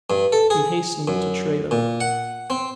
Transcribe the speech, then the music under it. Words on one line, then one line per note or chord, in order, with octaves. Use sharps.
He hastened to Tredah.
G2
A4
G#4
F#2
A#2
F#5
C4